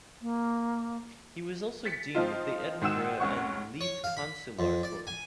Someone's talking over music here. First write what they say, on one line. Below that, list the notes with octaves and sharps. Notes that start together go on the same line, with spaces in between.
He was also Dean of the Edinburgh and Leith Consular Corps.
A#3
A6 B6 C#7
F3 C4 D#4 F4
G#2 D#3 F#4 F#5 E6 E7
F1 C#2 C#4 F#5 C#6
C#5
F5
B5
F2
D5
G#5